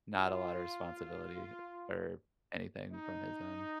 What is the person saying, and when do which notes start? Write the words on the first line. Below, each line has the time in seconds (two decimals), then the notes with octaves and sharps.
Not a lotta responsibility or anything from his end.
0.16 F4
2.93 D#4